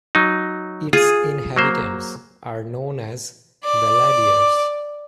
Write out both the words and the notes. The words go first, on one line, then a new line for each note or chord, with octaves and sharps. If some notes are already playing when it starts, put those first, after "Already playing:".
Its inhabitants are known as "Valladiers".
F#3 D#4
F4 G#4
F#3 A#3 C5
D5 D6